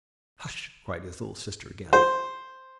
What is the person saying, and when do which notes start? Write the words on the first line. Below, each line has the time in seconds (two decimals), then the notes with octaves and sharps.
"Hush!" cried his little sister again.
1.93 C5